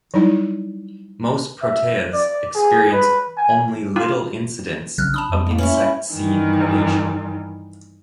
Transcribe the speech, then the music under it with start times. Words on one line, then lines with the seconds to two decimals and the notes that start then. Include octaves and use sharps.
Most proteas experience only little incidence of insect seed predation.
0.14 F#3 G3 D#4 E4
1.62 E5
2.13 D5
2.55 G#4
2.92 B4
3.37 G#5
3.96 F4
4.98 A#1 C#3 F#3 C4 F6 F#6
5.14 D4 A5 B5 D#6
5.29 F2 B3
5.47 G#3 A#3
5.58 C#4 E4 C#5
5.74 B5
6.13 G2 D#3 E3